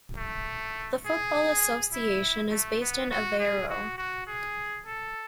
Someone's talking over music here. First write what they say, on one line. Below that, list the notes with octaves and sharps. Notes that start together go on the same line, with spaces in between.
The Football Association is based in Aveiro.
A3
G#4
E4
A3
B3
F#4
G#4
F#4
F#4
G#4
A4